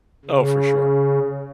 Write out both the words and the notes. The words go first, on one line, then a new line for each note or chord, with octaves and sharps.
Oh, for sure.
C#3